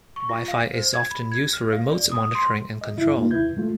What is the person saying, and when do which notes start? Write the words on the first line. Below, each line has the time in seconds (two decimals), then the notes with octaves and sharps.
Wi-Fi is often used for remote monitoring and control.
0.16 C#6
0.29 F4
0.48 F5
0.74 C5
0.94 G#6
1.11 B5
1.32 G#6
1.53 F6
1.72 F5
1.92 D5
2.12 D#6
2.35 C6
2.81 D#5
2.94 G2 C3 E4
3.18 A#3 D#4 F4
3.31 D#2 C3 E4 B4 G6 G#6
3.57 G#3 A3 F4